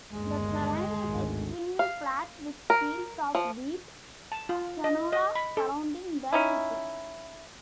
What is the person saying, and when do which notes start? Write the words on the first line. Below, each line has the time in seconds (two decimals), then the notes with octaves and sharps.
The terrain is extremely flat with fields of wheat and canola surrounding the city.
0.12 G1 D#2 G#3
1.06 G#1 D2
1.79 F5
2.70 A#4
3.35 F3
4.32 A5
4.49 F4
4.84 D#5
5.13 D#5
5.35 B5
5.57 A4
6.33 C#4 D#4 E4